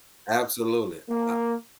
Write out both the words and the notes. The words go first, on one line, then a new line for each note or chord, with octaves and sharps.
Absolutely, I
A#3